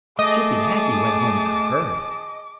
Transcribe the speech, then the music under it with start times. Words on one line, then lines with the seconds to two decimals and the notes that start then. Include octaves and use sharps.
Chippy Hackee went home in a hurry!
0.19 A3 G#4 D#5 A5 D6